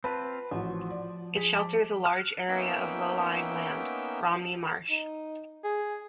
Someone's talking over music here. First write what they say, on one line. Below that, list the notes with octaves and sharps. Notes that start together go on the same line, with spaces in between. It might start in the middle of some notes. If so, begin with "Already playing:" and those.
It shelters a large area of low-lying land, Romney Marsh.
C4 F4 B4 A5 B5
A1 F3 F#4
D5
G#4 B6
A5 D6
F6 F#6
A#3 B3 C#4 D#4 E5 G5
D#4
G#4